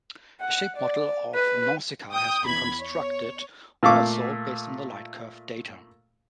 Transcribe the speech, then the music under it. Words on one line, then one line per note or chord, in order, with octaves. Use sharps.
A shape model of Nausikaa has been constructed, also based on the lightcurve data.
F#5
D5
B4
G5 D#6 G6
E2 B5 G#6
C#5
A#2 A3 F5 C#6 D6